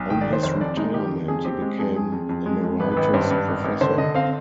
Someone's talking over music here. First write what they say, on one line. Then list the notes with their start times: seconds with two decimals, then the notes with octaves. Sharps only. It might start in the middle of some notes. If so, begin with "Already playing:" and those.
On his retirement, he became Emeritus Professor.
Already playing: B1
0.10 D#3 G5
0.21 D5
0.27 D#3
0.33 C5
0.43 F1 C5
0.61 F2 D5
0.77 G#3 D#4
0.94 D#3 G4
1.11 F2
1.28 F2 G#4
1.45 C4 G4
1.62 G#3
1.79 F2 G#4
1.96 F2 G#4
2.12 F2
2.29 F2
2.46 G#3
2.64 F2
2.80 G#1 B4
2.91 B4
2.97 G#1
3.02 B4
3.13 G2 C5
3.30 G2 B4
3.48 G#1
3.64 G#1
3.81 D3 C5
3.98 D3 D#5
4.14 C4 F5